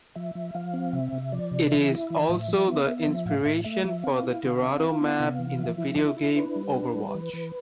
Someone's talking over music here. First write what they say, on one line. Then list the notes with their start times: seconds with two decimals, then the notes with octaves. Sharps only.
It is also the inspiration for the Dorado map in the video game Overwatch.
0.16 F3 E5
0.35 F3
0.55 F3 F5
0.74 C4
0.93 C3 E5
1.13 C3
1.32 F3 D5
1.51 C3
1.70 E3 E5
1.91 E4
2.10 E3
2.29 A2
2.48 F3
2.68 B3
2.88 B3
3.07 F3
3.26 A2 F5
3.45 A2 E5
3.64 A3 E5
3.84 F3 E5
4.03 C4 F5
4.23 E4
4.43 D3
4.63 C4
4.82 E4
5.01 B3
5.20 C3
5.39 E3
5.59 F3 E5
5.78 E4
5.97 E4 E5
6.17 E4
6.36 D4 B4
6.56 G3
6.75 D4
6.95 G3
7.15 E3
7.34 E3